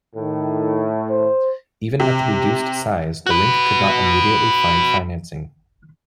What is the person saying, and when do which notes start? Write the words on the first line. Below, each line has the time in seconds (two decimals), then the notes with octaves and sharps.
Even at the reduced size, the rink could not immediately find financing.
0.16 A2 D#3
1.10 C5
2.00 C3
3.26 F#4 B4